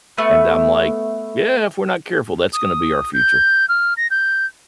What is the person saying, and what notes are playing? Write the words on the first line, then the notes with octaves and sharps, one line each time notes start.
and I'm like, "Yeah, If we're not careful, that's gonna be our future,"
A3 B3
D#6
G6
F6
A#6
G6